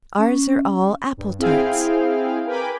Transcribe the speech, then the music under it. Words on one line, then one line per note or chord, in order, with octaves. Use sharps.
Ours are all apple-tarts.
C#4
G2
C4 E4 G#4 F5 G5
A#4 B4 G5 G#5 B5 D6